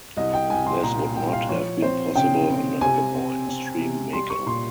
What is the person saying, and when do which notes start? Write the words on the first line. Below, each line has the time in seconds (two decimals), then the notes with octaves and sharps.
This would not have been possible under the more extreme makeup.
0.17 C2 D#5
0.34 G5
0.50 C2 G#5
0.66 C6
0.83 A#2 A#5
1.16 C2 G5
1.33 F5
1.49 F3 C#5
1.82 C4 C5
2.16 C#3 G5
2.49 C4
2.81 C3 G#5
3.14 C4
3.48 C4
3.81 C3
4.13 G3 C6
4.30 C#6
4.46 A#2 C6